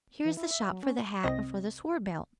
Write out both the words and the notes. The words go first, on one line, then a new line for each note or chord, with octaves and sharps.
"Here is the shop for the hat and for the sword-belt."
E3
E4
E5
F#3
C#4
C2 C4 D#5 A#6